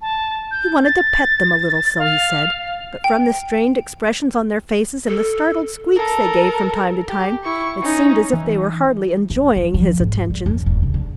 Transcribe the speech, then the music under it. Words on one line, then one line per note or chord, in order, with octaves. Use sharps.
He wanted to pet them a little, so he said, but from the strained expressions on their faces and the startled squeaks they gave from time to time, it seemed as if they were hardly enjoying his attentions.
A5
G6
A6
F5
G5
A4
A4 A#4
G4
E4 C#6
C#4 D#4
E3
F#2
F3
F3
G#2
G3
F2
D#1
C#3
D4